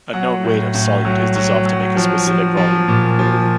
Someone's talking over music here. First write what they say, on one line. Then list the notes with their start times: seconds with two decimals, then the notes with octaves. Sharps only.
A known weight of solute is dissolved to make a specific volume.
0.13 F#3 F#5
0.43 A2
0.74 A2
1.05 F#3
1.36 F#3
1.66 F#3
1.97 F3
2.27 F3
2.57 F3
2.88 A#2
3.19 F3